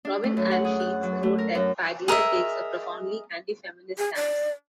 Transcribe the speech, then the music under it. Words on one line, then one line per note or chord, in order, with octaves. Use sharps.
Robin Ann Sheets wrote that Paglia takes a profoundly anti-feminist stance.
D4
A3
F#2
F#5
G#4
F#6
F#3
A3
A#4
F#2
G#4 A#4 D#5 E5
G#4
D5